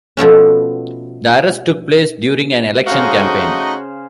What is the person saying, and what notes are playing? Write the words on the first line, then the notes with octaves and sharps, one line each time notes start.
The arrest took place during an election campaign.
B2 F3 A3 C#4
C#3 A3 D#4 F#4 C5 D#5 F5